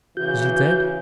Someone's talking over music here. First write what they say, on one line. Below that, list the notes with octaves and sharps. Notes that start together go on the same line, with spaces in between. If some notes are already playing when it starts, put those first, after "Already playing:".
Is he dead?'
C#3 E3 F#4 G6